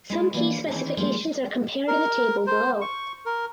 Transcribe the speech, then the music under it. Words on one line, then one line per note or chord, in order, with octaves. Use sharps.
Some key specifications are compared in the table below.
G#3 E4
E3 A#3 B3 D4 F4 D5
D#3 E3 G#3 C4 C#4 G#4
D#3 F3 G3 G#3 A#3
A#4
C5
C#6
A#4